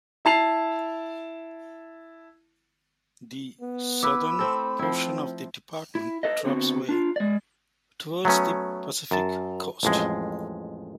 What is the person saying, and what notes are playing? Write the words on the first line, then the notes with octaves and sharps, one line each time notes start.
The southern portion of the department drops away towards the Pacific coast.
E4 A5 C7 F7
B3
E4 B4 B5 D6 E6
A3 C4 A4
F3 C4 E4
E4
A4 B4 D#5
D3 B3 C4 F#4
D4 F4
G#3 D5
F#3 A3 B3 C#4
F#2 A5
A1 F2 G#3